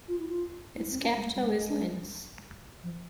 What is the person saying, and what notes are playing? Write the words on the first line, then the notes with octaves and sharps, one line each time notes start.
Its capital is Linz.
F4
E4
F4
E4
C4
C#4
G#3
A#3
G3
G#3
F3